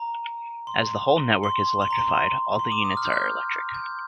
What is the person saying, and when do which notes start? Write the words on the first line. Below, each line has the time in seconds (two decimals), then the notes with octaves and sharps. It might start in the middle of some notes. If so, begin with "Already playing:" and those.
As the whole network is electrified, all the units are electric.
Already playing: A#5
0.67 C6
1.44 C6
1.82 C6
1.91 A#5
1.99 C6
2.59 C6
2.72 D6
2.85 D#6
2.97 F6
3.05 G6
3.13 F6
3.75 G6